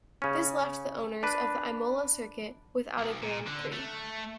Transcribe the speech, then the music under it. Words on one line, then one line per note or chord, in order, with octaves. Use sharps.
This left the owners of the Imola circuit without a Grand Prix.
C#3 C#4
D4 B4
B1
A#2
D3
A3